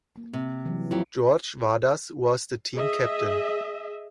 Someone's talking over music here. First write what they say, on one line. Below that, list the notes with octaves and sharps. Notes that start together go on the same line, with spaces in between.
George Vadas was the team captain.
A#3
C3
E3 F#3 G3
F2 F#3 E4 F4 G4
G#4 D#5 E5